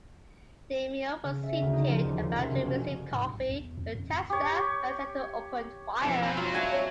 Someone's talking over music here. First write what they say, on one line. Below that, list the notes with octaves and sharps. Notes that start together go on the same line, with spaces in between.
DeMeo was seated, about to receive coffee, when Testa and Senter opened fire.
C#3
E5
D2
D#4
F3
D#2
C#2
C3
F#1
C#4
G#2
B1
E2
F2
F#2
F2
G4 C#5
E1 F2 E3 F3
C4 B4
F#3 F4
F#4 D5 E5 G#5 A5
C#5 E5